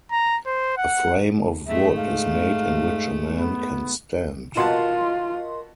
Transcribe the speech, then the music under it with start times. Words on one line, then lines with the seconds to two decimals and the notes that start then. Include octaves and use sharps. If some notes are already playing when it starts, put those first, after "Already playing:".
A frame of wood is made in which a man can stand.
0.12 A#5
0.46 C5
0.77 F#5
1.67 G#2 A3 E5
1.96 F5
3.35 B3
4.57 B2 F4 A#4 D#5 F#5 A5 C6